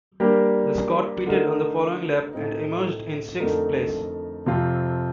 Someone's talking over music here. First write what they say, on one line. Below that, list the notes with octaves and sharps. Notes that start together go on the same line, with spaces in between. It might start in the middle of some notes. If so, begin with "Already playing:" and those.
The Scot pitted on the following lap and emerged in sixth place.
G3 A#3 D4 G4 A#4
D3 A3 D#4 A#4
A2 A3 C4 D#4
F2 D3 A3 D#4 A#4
F2 C3 F3 C4 F4